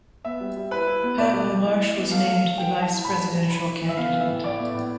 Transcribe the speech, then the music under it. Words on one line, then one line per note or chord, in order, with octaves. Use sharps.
Pat LaMarche was named the Vice-Presidential candidate.
B3 E5
G3
G3
E4 B4
E4
B3
B2 D5
G3
G3
E4
E4
B3
A3 F5
A3
A3
E3 G5
E4
A5
E4
A2 B5
E3
E3
E4 B5
E4
E3
E5
B3 F5
E3
E5
A2
A2 D5
B3
A2